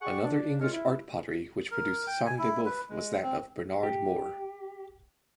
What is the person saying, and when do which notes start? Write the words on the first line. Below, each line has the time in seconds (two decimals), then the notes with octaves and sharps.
Another English art pottery which produced sang de boeuf was that of Bernard Moore.
0.02 G4 G#4 D5 F#5 C#6
0.24 D4
0.61 D#2 G#3 F4 C#5 F6
0.72 E4
1.71 A#4
2.07 G5
2.26 G#5
2.38 E4
2.66 B4
2.89 G#3
3.22 C4
3.83 G4